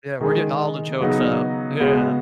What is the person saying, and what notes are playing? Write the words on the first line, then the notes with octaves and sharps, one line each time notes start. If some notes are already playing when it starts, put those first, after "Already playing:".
Yeah, we're getting all the jokes out, yeah.
D#3 G#3 D#4 G#4
C#3 F#3 B3 D#4
C#3 G#3 B3 F#4